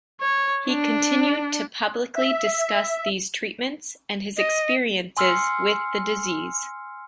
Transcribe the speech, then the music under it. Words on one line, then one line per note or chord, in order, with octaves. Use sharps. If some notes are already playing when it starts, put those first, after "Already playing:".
He continued to publicly discuss these treatments and his experiences with the disease.
C#5
D4
E5
D#5
G#5 C6 E6 F6 C7 C#7